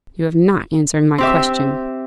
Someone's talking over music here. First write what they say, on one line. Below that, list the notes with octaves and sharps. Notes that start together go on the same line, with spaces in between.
You have not answered my question.
C4 G4 E5